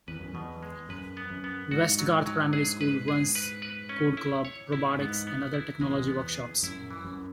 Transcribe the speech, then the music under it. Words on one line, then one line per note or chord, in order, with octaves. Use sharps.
Westgarth Primary School runs code club, robotics and other Technology workshops.
E2 B4
F#2
E2 B2
G#3
F#2 B4
B3
F#2
B3
G#2 F#4
F#3
F#3
G#4
B4
G#4
B4
B4
C#4
E4
C#5
E4
G#2 B3
B3
E4
E2 G#3
B3
G#4
F#2 E4
E3
F#2